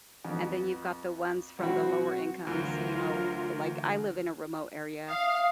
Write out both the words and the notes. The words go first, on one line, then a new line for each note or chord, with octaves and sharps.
and then you've got the ones from the lower incomes, you know like, I live in a remote area,
F2 B3
B1 C4 F#4 B5
D2 E3 F#3 F4 A#4
E5 F5 D#6